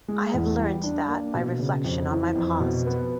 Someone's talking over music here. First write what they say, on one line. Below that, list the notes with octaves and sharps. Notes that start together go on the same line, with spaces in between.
I have learnt that by reflection on my past.
G#3
E2
G3
D4
A#3
B2
C#3
F2
E3
F2
B2
B3